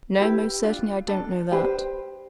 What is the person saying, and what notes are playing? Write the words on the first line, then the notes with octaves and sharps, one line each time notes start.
"No, most certainly I don't know that."
E4 G4 B4
D4 F4
D4 A4
D4 G4 B4 C5